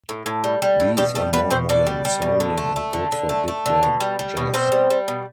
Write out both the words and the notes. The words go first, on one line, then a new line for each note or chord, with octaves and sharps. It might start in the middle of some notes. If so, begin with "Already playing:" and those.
These are more modern sounding and good for big band jazz.
A2
A2
G3
G3
A2
B2 G3 G4
G3 A3 A4
G3 B3 B4
B2 C4 C5
B2 D4 D5
G3
G3
B2
D3
A3
A3
D3
D3
A3
A3
D3
B2
G3
G3
B2
B2 C4 C5
G3
G3
B2